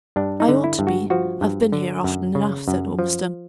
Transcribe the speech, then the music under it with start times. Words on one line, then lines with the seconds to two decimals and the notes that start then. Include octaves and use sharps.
"I ought to be; I've been here often enough," said Ormiston.
0.16 G2 D4
0.40 D#4
0.48 D3
0.64 E4
0.79 G2
0.87 F#4
1.10 F3 F#4
1.41 G2
1.72 D3
2.04 F#2
2.35 C#3
2.68 F#2
2.99 F3